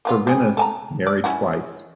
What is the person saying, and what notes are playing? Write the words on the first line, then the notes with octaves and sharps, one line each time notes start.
Corvinus married twice.
A#3 B3 F4
G3 G#4
A4 G#5 A#5
D5
C#4 E4 F#5